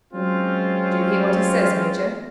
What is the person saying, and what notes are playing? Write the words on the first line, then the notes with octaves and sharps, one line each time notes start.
"Do you hear what he says, major?"
F#3 G#3 C4 C#4 F4